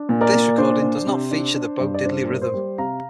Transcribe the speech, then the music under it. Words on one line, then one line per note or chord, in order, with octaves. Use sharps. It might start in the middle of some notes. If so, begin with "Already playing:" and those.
This recording does not feature the Bo Diddley rhythm.
Already playing: D4
A#2
A#4 D5
A#2
D4 C5
D4
C3
D4
D4
G2
D5
D4 C5
A#3
C5
G3
C3 F5 A#5